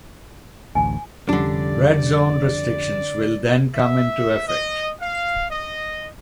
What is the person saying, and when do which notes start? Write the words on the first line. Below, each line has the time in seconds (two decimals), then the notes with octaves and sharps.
Red zone restrictions will then come into effect.
0.75 A1 D2 G#5
1.29 F1 D3 G3 C#4 D4 D5
3.75 E5
4.48 D#5
5.01 F5
5.50 D#5